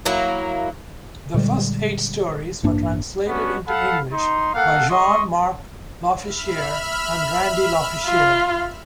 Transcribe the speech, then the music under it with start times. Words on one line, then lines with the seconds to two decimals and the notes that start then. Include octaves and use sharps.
The first eight stories were translated into English by Jean-Marc Lofficier and Randy Lofficier.
0.05 F#3 A#3 E4
1.34 A#2 D3 G3 G#3
2.63 A1 G2 A#3 D4
3.27 B3 C#4 D4 F#4
3.67 A4 F5 F#5 A5 B5
4.13 D#4 C6
4.54 A#3 A4 F5 F#5
4.89 G#3 D#5 C6 C#6
6.19 E5 B5 F6
8.06 F4